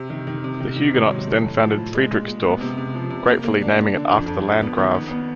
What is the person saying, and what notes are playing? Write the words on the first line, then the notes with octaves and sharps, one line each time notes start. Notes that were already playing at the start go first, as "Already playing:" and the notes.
The Huguenots then founded Friedrichsdorf, gratefully naming it after the Landgrave.
Already playing: C3
D#3
D#3
C3
D#3
D#3
G#2
F#3
A3
A2
F3
A2
G#3
A#2
G#3
B3
C3
C3
F3
C3
A#3
A#3
D4
D4
D3
F2
F2
F2
B3
D#3
B3
B3